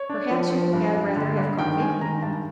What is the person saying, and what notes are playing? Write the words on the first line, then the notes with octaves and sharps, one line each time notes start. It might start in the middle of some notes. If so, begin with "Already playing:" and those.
"Perhaps you had rather have coffee?"
Already playing: C#5
D4
F3
F3
G2
G2
D3
G2
D#3 G5
G#3 G#5
D#3 A#5
G2 A5